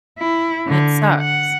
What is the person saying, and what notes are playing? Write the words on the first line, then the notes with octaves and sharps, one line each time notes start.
and it sucks.
E4
D3
F#5